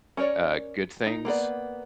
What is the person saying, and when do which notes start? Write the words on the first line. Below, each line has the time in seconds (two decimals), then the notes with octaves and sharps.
uh, good things.
0.17 C#4 A#4 B4 C#5 D5
1.06 D#4
1.25 A#3 B3 A4 D5